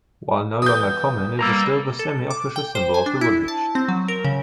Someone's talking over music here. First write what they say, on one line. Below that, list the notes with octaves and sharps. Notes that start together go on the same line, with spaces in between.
While no longer common it is still the semi-official symbol of the village.
E3 B3 D#6 G6
G3 A#3 A#4 A#5 E6
A4
D6
G5
C5
G#5
D4
E4
A5
C4
F#3
A#4
C#3